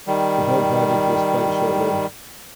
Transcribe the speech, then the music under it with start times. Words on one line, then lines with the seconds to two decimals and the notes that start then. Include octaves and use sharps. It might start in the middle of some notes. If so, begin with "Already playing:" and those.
The Toad project was quite short-lived.
0.07 D#3 G3